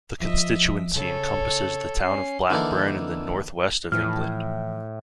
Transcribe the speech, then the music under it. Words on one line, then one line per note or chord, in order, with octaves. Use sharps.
The constituency encompasses the town of Blackburn in the North West of England.
F3 D#5 E5
C#3 A4 C#5
C#4 C7
D3 E3 A#3 D4 D#4
A2 E3 F3 F6